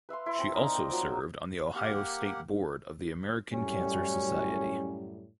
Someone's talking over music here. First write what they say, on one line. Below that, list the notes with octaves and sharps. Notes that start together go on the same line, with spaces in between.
She also served on the Ohio state board of the American Cancer Society.
B4 E5 F5 C6
E4 C6
C4 A5
D#4 A#4 D5
A#3 G5
F3 F#3
A#3 G4 A#4 F#5
F#2 A2 G3 C#4